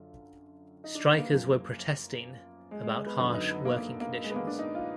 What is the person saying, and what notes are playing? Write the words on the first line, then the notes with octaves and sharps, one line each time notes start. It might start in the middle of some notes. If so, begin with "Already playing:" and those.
Strikers were protesting about harsh working conditions.
Already playing: F#2 D3 F4
D#4
D4
B3
A#3
F#2 F3
G#3
G#3
B3
F#2 D3 F#3 B3
D#4
B3
A#3
A#3
A#3
G#3
B3
A#3
D4
D#4
F4